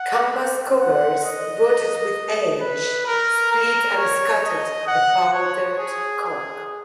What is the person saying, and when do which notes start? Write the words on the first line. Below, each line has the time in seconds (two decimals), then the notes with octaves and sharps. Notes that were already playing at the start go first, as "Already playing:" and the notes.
Canvas covers, rotted with age, split and scattered the powdered cork.
Already playing: F#5
0.79 F#5
1.24 D#5
2.61 B4
3.06 A#4
3.51 A#4
3.96 C#5
4.42 D#5
4.87 F#5
5.33 C#5
5.78 G#4
6.23 G#4